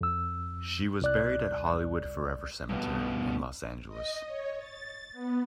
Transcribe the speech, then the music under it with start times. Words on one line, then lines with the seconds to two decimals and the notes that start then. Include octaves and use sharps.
She was buried at Hollywood Forever Cemetery in Los Angeles.
0.01 F2 E6
1.02 C2 D5 F#6
2.69 G2 B2
3.87 D#5
4.25 C#5
4.57 A6
5.12 B3